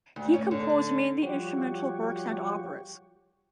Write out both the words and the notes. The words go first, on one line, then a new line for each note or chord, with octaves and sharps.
He composed mainly instrumental works and operas.
D2
C#4
D3
F3 G3 F#4 G4 C#5